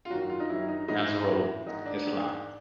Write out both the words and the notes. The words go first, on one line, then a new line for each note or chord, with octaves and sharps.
Nazrul Islam.
F4
F#2 D#3 F#4
F4
D#4
F#2 D#3 E4
D#4
A2 E3 D#4
A2 E3
G#2 D#3 D#4
D4
G#2 D#3